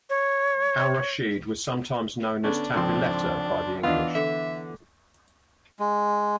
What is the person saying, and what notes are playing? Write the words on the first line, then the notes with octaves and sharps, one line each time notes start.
Al-Rashid was sometimes known as "Tafiletta" by the English.
C#5
D3 B3 C#4 D4
G#1 C#2 F3 C4 A4 C6
E3 B3 D4 F4 D#5 F5
D3 E5
G#3